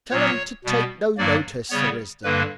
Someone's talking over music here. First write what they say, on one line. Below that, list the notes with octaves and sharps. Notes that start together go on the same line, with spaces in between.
Tell 'em to take no notice, Sir Risdon.
A#2 F#3 B3 C#5
B2 G3 B3
G2 F#3 A#3 D5
C#3 G3 B3 C#5
G2 D3 G3 A#3 B4